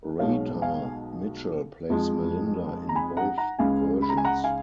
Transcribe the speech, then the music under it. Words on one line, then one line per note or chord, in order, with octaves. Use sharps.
Radha Mitchell plays Melinda in both versions.
B1 B2 G#3 C#5 F5
F5 G#5
F2 F3 G#3
A#5
G#5 B5
F#5 A#5
F#5 A#5
C#2 C#3 G#3 F5 G#5
B5
A#5
G#5
F#5 A#5
F5 G#5